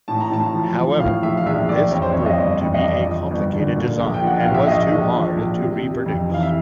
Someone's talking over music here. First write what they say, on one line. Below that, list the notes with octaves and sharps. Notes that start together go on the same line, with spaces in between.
However, this proved to be a complicated design and was too hard to reproduce.
A2 A5
A#5
A2 A5
F3
F3
A2 F5
A#1 E5
F5
A#1 E5
A#1 D5
F2 C#5
C5
F2 C#5
D#5
G1 D5
F2
D#5
F2 D5
F3
G1
D3
A#2
A#1
G5
F3 F#5
A#1 F5
E5
A#1 D#5
A#1
F3
A#1
C3
C3
F2
E3 F5
E5